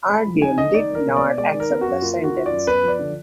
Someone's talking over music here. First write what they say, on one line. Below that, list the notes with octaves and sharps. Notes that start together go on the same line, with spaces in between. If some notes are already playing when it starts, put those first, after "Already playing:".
Arduin did not accept the sentence.
G#3 B5
F3
D#4 G#5
D3 D#5
D#4 D5
A#3
A#4
B2
D5
B2
G#3 D5
D#3
A#4
B3
F#4
F#2
A#3 F4
D#3 F#4
F4
F#2 D5
B3 B4
F3
D5
D3